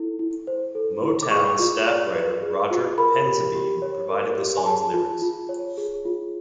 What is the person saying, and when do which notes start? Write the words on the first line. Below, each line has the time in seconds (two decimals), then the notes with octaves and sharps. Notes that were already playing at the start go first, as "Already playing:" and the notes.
Motown staff writer Roger Penzabene provided the song's lyrics.
Already playing: E4 A4
0.19 E4
0.47 C5
0.75 A4
1.03 E4
1.23 D6
1.31 G#4 C#6
1.59 F4
1.87 D5
2.15 B4
2.42 G#4
2.71 F4
2.98 A#4 B5
3.26 G4
3.55 G4
3.82 C#5
4.10 A#4
4.38 G4
4.57 G#5
4.66 G#4 A5
4.94 F4
5.22 F4
5.49 C#5
5.78 G#4
6.05 F4